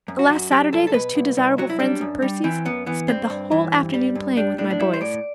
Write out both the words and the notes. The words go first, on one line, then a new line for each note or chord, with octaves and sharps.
Last Saturday those two desirable friends of Percy's spent the whole afternoon playing with my boys.
F#2
F#4
F#2
F#3 G4
C2 A4
A4
B2 B4
C2
C2
F#3 F#4
E4
G3 D4
F#2
G3
E3 C4
F#2 B3
E3 B3
G2 C4
G2
E3
G2
G3
G2
G3 D4
A2 D4
D4
G3 E4
C5
A2 D5